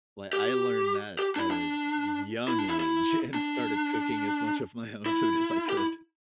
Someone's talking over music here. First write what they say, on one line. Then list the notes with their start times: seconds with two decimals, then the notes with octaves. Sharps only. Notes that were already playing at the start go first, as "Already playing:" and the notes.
Li I learned that at a y young age and started cooking as much of my own food as I could.
0.33 G4
1.19 G4
1.36 D4
1.40 E4
1.51 D4
2.48 E4
2.59 D4
2.69 E4
2.80 E4
3.34 D4
5.06 E4
5.69 G4
5.77 E4